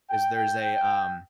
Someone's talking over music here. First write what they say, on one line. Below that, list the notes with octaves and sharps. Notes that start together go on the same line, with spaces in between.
is there's a, um,
G5